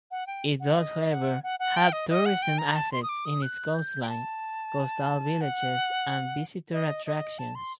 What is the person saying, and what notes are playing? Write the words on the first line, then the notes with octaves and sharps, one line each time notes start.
It does, however, have tourism assets in its coastline, coastal villages and visitor attractions.
F#5
G5
F#5
D#5
F#5
F#5
F#5
G5
D#5
D#5
F#5
G5
A#5
A5
C6
D#6
D6
D#6
F#6
G6
G5
A5
F#5
D#5
D#5
A5
C6